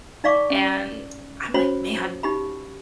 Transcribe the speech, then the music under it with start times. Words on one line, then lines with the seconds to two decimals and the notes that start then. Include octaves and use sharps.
and I'm like, "Man,
0.24 D#4 D5 F5 C#6 D6
0.50 C#4
1.54 C#4 F#4 C5 C#5 B5
2.23 D#4 G4 B5